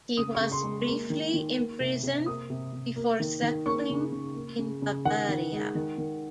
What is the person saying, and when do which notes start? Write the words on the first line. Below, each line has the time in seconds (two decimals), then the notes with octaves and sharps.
He was briefly imprisoned before settling in Bavaria.
0.17 C#3 D#6
0.35 C#6
0.40 C#3
0.52 C6
0.64 G#3
0.87 A#3
1.10 D#3
1.34 D#3
1.57 A#3
1.80 C3
2.03 C3
2.26 A#3 D#6
2.50 C3
2.73 C3
2.96 A#3
3.20 D#3
3.42 D#3
3.66 A#3 C#6
3.90 C#3
4.12 C#3
4.35 A#3
4.59 C#3
4.82 C#3
5.05 D#3 F#5
5.28 D#3
5.52 G#3
5.75 D#3
5.98 D#3